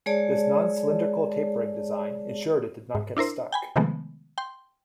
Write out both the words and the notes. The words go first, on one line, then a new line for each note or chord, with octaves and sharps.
This non-cylindrical tapering design ensured it did not get stuck.
G#3 G#4 C#5 D5 A5
G#2
D4 E4 A#4 C5
G5 G#5 B5
C3 D#3 F3 G#3 A3 B3
G5 C6